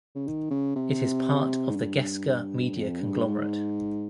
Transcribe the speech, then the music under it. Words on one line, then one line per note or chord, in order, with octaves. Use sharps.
It is part of the Gesca media conglomerate.
C#3
D#3
C#3
C3
G#2
G2
F2
G2
G#2